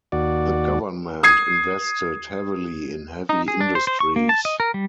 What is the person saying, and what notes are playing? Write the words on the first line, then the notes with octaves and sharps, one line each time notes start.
The government invested heavily in heavy industries.
D#2 F#4 D5
D#6 G#6 C7
D#4
G#4
D4
C5
C5
C#6
A#3
A5
D#5
A#4
G3